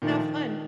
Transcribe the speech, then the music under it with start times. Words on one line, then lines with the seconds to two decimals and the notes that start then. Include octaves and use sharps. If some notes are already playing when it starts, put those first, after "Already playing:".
Not fun.
0.02 A#2 D#3 F3 A3